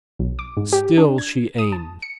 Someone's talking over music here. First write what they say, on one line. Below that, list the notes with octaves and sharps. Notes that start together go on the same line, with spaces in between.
Still she aimed....
B1
D6
G#2
G4
D4
G#6
D#6
A5
C#7